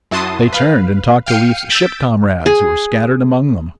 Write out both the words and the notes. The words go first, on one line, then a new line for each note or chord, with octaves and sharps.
They turned and talked to Leif's ship-comrades who were scattered among them.
F#2 E4 F#4 A5 C6 D#6
B4 F5
F5 G5 F6 C7 C#7 D#7
E6 G6 A6 B6 D7
G#4